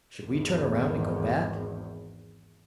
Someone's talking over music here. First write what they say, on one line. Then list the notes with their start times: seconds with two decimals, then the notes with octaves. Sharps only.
Should we turn around and go back?
0.23 G#1 E2